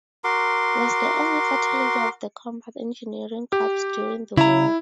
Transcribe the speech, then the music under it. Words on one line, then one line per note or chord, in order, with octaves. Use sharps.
He was the only fatality of the Combat Engineering Corps during the war.
F#4 A#4 C6 D6
G4
C#3 E4 A#5